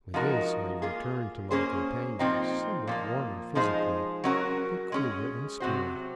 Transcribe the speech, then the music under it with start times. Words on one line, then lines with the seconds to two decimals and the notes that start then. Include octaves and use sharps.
With this I returned to my companions, somewhat warmer physically, but cooler in spirit.
0.14 F3 G#3 D#4 F#4 A#4
0.82 A#3 F4 G#4
1.51 A#3 C#4 G#4 C5
2.19 A#2 F3 C4 D#4
2.87 A#2 F3 A#3
3.55 F3 G#3 D#4 G#4 C5
4.24 F#3 C#4 F#4 A#4
4.92 G#3 C#4 G#4
5.60 C3 F#3 C4 F#4 C5